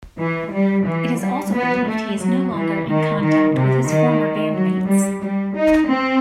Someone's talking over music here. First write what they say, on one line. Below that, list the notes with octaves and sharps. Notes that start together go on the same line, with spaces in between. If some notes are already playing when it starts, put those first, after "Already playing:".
It is also believed he is no longer in contact with his former bandmates.
E3
G3
E3
G3
B3
A3
F#3
E3
D#3
D#3
C3
D#3
F#3
G3
G3
D#4
C4